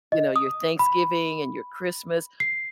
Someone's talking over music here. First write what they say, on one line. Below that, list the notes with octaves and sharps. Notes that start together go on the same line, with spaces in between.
you know, your Thanksgiving and your Christmas,
D#5
D#6
B5
C7